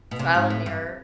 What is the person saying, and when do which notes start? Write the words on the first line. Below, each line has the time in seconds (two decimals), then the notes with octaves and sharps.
Trial and error.
0.11 B2
0.19 C3
0.35 G#2
0.50 A2
0.66 G2